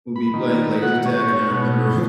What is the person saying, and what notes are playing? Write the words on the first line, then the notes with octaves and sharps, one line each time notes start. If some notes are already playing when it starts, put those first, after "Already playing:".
we'll be playing laser tag, and I remember
B5
D#3
F#5
C#5
B2